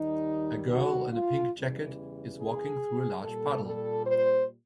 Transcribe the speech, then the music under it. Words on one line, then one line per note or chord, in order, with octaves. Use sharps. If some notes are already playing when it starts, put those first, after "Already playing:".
A girl in a pink jacket is walking through a large puddle.
Already playing: D#2 D#3 G3 D#4
F#4
F4
E2 C#3 E3 G3
G#4
A#2 G3 A4
A4
C5